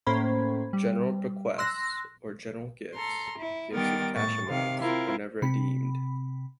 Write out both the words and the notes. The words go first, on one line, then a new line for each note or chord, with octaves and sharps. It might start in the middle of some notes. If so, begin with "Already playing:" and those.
General bequests or general gifts - gifts of cash amounts - are never adeemed.
A2 A#3 C#4 C5 B5 G#6
G3
C6 E6 F#6 A#6
A4 A#5 C6
E4
D#3 G3 B3 A#4 G5 A6
A2 C#6 A6
C3 D#3 F5
C4 E4 F4 A#4
C3 B5